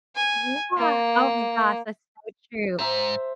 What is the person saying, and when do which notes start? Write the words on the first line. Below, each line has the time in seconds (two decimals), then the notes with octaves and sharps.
yeah, oh, my gosh, that's so true.
0.16 G#5
0.78 A#3
2.79 G#2 C5 E5 A#5